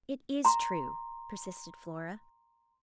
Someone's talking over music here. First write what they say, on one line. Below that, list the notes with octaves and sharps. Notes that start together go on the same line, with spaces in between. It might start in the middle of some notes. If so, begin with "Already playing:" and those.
"It is true," persisted Flora.
A#5 C6